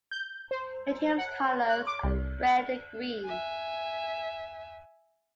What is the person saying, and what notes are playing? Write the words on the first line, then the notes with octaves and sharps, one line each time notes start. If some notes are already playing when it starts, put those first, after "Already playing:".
The team's colors are red and green.
G6
C5
F#5
F#6
D6
C2
E5 G#5